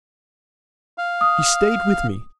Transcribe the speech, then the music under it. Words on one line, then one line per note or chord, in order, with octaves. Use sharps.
She stayed with me.
F5
D#6